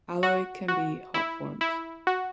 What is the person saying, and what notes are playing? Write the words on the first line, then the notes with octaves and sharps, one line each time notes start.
Alloy can be hot formed.
F#4
F#4
E4
E4
F#4